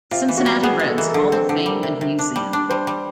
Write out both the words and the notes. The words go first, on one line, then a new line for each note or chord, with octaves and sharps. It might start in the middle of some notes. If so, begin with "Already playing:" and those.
Cincinnati Reds Hall of Fame and Museum.
C3 F4
E3
F#4
G3
B3 G#4
G#3
A4
E3 A#4
A4
D3
C4
D3
G3 A#4
C3
C3
D4
G3
D4
G3 C5
G3